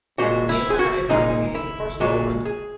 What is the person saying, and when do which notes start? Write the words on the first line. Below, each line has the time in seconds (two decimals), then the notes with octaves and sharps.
Emma is Antony's first girlfriend.
0.18 A#2 G#3 F#4
0.49 E4
0.70 G#4
0.79 F#4
1.09 A#2 G#3 D#4
1.55 E4
2.00 A#2 G#3 F#4
2.45 G#4